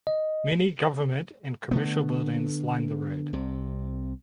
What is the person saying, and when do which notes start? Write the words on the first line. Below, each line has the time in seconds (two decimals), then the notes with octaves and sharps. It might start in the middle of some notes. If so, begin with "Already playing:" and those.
Many government and commercial buildings line the road.
0.07 D#5
1.71 D3 A3 B3
3.33 C2 C3